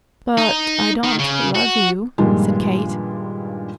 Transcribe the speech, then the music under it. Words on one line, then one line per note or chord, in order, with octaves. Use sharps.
"But I don't love you," said Kate.
D#4
D#3
C#3
F#4
G2 A#2 D#3 F3 G3 G#3